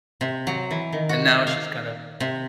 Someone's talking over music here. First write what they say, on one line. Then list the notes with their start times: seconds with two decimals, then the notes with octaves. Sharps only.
and now she's kind of
0.21 C3
0.47 F#3
0.71 E3
0.93 D#3
1.09 F#4
1.47 F5
2.20 C3